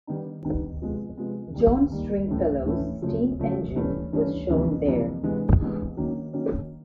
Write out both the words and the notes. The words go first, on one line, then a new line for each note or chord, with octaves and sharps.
John Stringfellow's steam engine was shown there.
D#3 G3 B3 D#4
D#3 G3 B3 D#4
C3 F3 G#3 B3
C3 F3 G#3 B3
D#3 G3 A#3
D#3 G3 A#3
A2 E3 A3 C#4 E4
A2 E3 A3 C#4 E4
F#2 C#3 F3 A3
F#2 C#3 F3 A3
G2 E3 A3 C#4
G2 E3 A3 C#4
F2 C3 E3 G3 A#3
F2 C3 E3 G3 A#3
C3 E3 G#3 B3
C3 E3 G#3 B3
D#3 F#3 A#3 C#4
D#3 F#3 A#3 C#4